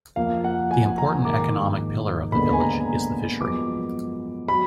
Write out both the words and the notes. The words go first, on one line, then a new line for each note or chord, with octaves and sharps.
The important economic pillar of the village is the fishery.
F2 F3 A#3 F5
F#5
G#5
A#5
G#2 D#3 A#3 D6
D#2 D3 G#3 B3 B5
G#5
A#5
F#2 F3 G#3 B3 D6
F#3 B5